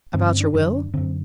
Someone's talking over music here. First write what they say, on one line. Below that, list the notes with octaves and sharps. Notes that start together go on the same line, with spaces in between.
"About your will?"
G2 D3 C4
C4
D4
F#2 D3 D4
F#2 D3 C4